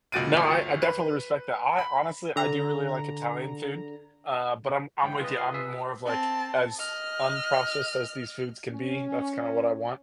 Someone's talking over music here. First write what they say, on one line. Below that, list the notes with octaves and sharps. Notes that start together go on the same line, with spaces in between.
No, I I definitely respect that. I honestly, I do really like Italian food, uh, but I'm I'm with ya, I'm more of, like, as unprocessed as these foods can be, that's kind of what I want.
C#2 A#2 F#4 A6 D7 D#7
G1 D2
B4
B5
D3 A#5
G#2 E3 G5
C2 C#3 G#3 F4 B4 D#5
F5
G#4 E5
C4 A5
D#5 F6
C#4